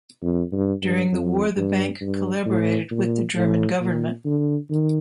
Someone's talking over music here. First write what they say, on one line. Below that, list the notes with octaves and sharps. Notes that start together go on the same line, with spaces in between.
During the War the Bank collaborated with the German government.
F2
G2
G2
F2
G2
G2
A2
A#2
A2
A#2
D3
D#3